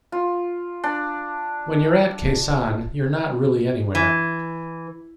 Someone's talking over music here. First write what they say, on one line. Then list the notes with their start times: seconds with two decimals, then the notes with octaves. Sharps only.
When you're at Khe Sanh, you're not really anywhere.
0.12 F4
0.84 D4
3.95 E3